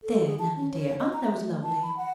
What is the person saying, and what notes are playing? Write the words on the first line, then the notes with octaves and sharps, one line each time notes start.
There, Nannie dear, aren't those lovely?
A4
G#4
A5
C#4
C#5
D#5
A#5
E5
A3
A5
B5
F#5